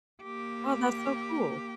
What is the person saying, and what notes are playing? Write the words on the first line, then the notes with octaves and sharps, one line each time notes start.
Oh, that's so cool.
A#3 G4